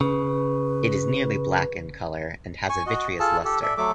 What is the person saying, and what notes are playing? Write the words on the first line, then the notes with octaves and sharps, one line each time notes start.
It is nearly black in color and has a vitreous luster.
C#3 B4
G#5 C#6
F#4 D#5
F4 G#4 A4 A5
G4 A4
A4 D5 E5
F#3 A3 A4 D6